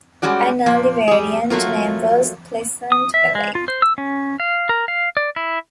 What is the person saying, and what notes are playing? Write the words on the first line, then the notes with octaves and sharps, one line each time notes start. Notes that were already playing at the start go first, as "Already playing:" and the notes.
An early variant name was "Pleasant Valley".
G3 G#3 C#4 F#4 D5
A#2 F3 A#3
G3 G#4
F#3 A3 A#3 F4
D#6
E5
G#3
F4
C5
E6
C#4
F5
A#4
F5
D5
E4